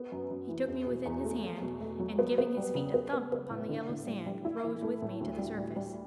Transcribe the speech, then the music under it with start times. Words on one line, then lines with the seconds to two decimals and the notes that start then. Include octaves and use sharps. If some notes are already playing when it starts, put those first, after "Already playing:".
He took me within his hand and, giving his feet a thump upon the yellow sand, rose with me to the surface.
Already playing: B3
0.12 F#2
0.31 F#2
0.49 E3
0.68 E2
0.86 B2
1.05 E2
1.24 A3
1.43 A3
1.62 B2
1.80 A3
2.00 F#3
2.19 B3
2.38 B3
2.57 G3
2.75 C#3
2.94 B3
3.13 B3
3.32 B3
3.50 A2
3.69 D3
3.89 D3
4.07 G3
4.26 G3
4.45 E4
4.64 E3
4.82 A3
5.02 A2
5.21 D2
5.39 G3
5.58 G3
5.76 G3